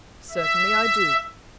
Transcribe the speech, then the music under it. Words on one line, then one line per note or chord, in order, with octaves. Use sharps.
"Certainly I do."
E5